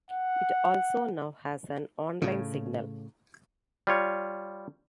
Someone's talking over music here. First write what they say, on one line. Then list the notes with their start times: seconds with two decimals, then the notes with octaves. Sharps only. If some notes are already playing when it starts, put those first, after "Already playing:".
It also now has an online signal.
0.11 F#5
2.22 A2 C#3
3.87 G3 F4 C#5